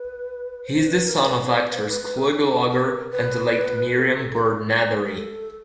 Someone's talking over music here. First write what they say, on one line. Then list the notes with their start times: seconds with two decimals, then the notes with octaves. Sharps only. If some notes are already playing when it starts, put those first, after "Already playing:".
He is the son of actors Clu Gulager and the late Miriam Byrd Nethery.
Already playing: B4
0.65 C5
0.86 B4
1.06 A#4
1.27 B4
1.47 C5
1.61 B4
1.74 C5
1.88 B4
2.18 G#4
2.29 A4
2.70 A#4
2.82 B4
2.94 A#4
3.11 B4
3.94 A#4
3.98 A4
4.34 A4
5.06 A#4
5.16 A4